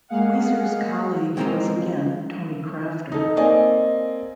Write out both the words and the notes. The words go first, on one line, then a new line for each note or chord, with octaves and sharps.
Weser's colleague was again Tony Crafter.
G#3 A#3 G#4 F5 F#5
G#3 C4 D#4 F4 A#4 C5
D#4 A4
A#3 C4 D5 D#5 G#5